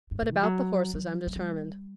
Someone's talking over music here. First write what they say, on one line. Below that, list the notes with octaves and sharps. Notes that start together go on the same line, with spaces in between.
But about the horses I'm determined.
G2
A2
E3
F#3
F#3
A3
G3